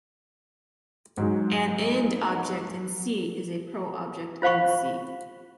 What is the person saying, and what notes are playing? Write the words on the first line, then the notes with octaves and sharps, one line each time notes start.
An ind-object in "C" is a pro-object in "C".
G#2 F#3 G#3
F4 C5 F5 B5 C#6